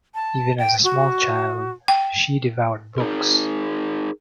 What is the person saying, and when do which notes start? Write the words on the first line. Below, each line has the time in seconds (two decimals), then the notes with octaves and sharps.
Even as a small child she devoured books.
0.15 A5
0.59 G5
0.84 F#4
1.88 G5
2.98 D#4 G#4 A#4